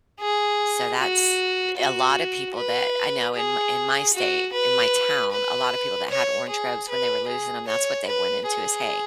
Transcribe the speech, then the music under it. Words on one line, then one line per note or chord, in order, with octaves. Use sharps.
So that's A lot of people that I know in my in my state, in my town, a lot of people that had orange groves, when they were losing 'em, that's what they went into was hay.
G#4
F#4
F#4
B4
G#4
F#4
B4
B4
C#5
G#4
B4
G#4
C#5
B4
G#4